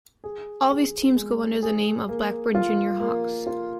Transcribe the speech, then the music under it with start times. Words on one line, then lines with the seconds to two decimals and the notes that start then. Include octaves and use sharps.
All these teams go under the name of Blackburn Junior Hawks.
0.24 G#4
0.71 G#4
1.16 G#3
1.63 G#4
2.09 A#3
2.55 F4
3.00 A#3
3.47 F4